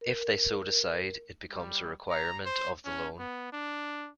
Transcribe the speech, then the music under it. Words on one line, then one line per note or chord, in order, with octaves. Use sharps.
If they so decide, it becomes a requirement of the loan.
A#4
G3
A#5
C5
C#4
B3
D4